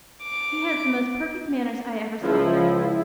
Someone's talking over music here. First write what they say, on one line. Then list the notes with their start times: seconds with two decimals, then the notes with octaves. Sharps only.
He has the most perfect manners I ever saw.
0.23 D6
2.23 C#2 F3 E4